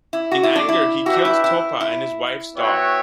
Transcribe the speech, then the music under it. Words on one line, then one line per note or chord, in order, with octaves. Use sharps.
In anger, he killed Topa, and his wife's dog.
E4
F#4
E4
D4
E4
D4 F#4 G4 B4 E5
E4
E4
E4
B3 F#4 C#5 E5 G5